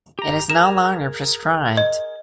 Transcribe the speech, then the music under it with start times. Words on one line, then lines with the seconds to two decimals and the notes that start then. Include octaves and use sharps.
It is no longer prescribed.
0.19 G4 A#5
0.50 G#4 A#4 A#5 E7
1.77 D#5